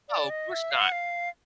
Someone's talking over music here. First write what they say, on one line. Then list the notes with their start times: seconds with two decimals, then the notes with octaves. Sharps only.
Oh, course not.
0.09 D5
0.30 D#5
0.49 E5
0.71 F5
0.81 F#5
0.92 F5